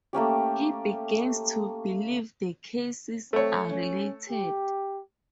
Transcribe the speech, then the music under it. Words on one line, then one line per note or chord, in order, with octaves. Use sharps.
He begins to believe the cases are related.
A3 A#3 C#4 G4
A3 C4 C#5
C#4
G4